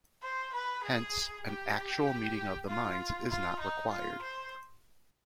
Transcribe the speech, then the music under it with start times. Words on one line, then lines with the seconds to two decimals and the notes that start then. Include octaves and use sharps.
Hence, an actual meeting of the minds is not required.
0.23 C5
0.53 B4
0.83 G#4
1.45 G4
2.67 F4
3.30 F4
3.60 D#4
3.90 F4
4.22 C5